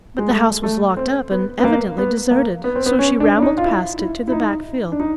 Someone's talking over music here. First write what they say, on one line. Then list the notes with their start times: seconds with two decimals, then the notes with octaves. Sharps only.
But the house was locked up and evidently deserted, so she rambled past it to the back fields.
0.18 G#3
0.30 A3
0.63 A3
0.97 C4
1.31 B3
1.59 B3
1.64 A#3
1.98 B3
2.31 A#3
2.64 B3
2.75 C4
2.86 B3
2.99 C#4
3.20 D4
3.37 D4
3.42 D#4
3.58 F4
3.65 E4
3.99 E4
4.28 E4
4.32 D#4
4.92 D4
5.00 D#4